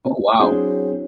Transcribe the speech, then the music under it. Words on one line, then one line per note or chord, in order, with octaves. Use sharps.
Oh, wow.
F#3 C4 D4 E4 G#4 C5